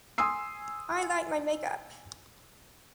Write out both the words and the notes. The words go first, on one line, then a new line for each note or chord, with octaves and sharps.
I like my makeup.
G#5 C6 D#6 E6 C7